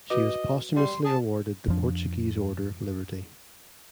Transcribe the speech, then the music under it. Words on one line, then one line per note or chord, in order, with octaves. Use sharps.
She was posthumously awarded the Portuguese Order of Liberty.
F#4 B4 D#5 D6
G3 D5 C6
G#4 A5
F2 F3 D4